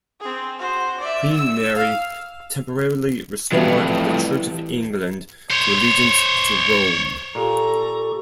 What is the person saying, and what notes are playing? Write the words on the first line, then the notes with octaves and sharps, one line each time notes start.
Queen Mary temporarily restored the Church of England to allegiance to Rome.
C4 G#4
F#4 C5
D5 E5
E6
F5
F2 A2 E3 G3 B4
C5 C#5
A#2 G4 A4 A#5 C#6